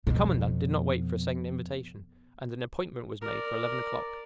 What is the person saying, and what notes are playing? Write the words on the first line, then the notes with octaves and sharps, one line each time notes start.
The commandant did not wait for a second invitation, and an appointment was made for eleven o'clock.
F2 B2
A#4 D5